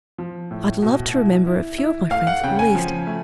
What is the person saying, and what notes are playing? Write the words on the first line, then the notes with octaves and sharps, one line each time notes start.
I'd love to remember a few of my friends at least.
F3
A2
B2
E4
E4
E4
A3 F5
F#5
C#3 G5
G#5
F3
A3